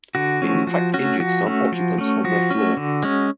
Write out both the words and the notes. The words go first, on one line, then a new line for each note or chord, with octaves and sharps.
The impact injured some occupants on their floor.
D3 F#4
F3 A3 C#4
F3 F#4
A3 C#4 F#4
F3 F#4
A3 C#4
F3
A3 C#4
F3 F#4
A3 C#4
D3
G#3 C#4